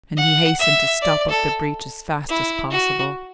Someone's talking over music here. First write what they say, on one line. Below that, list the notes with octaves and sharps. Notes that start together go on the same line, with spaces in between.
And he hastened to stop up the breach as fast as possible.
F#5
E5
D5
A4
E4
F#4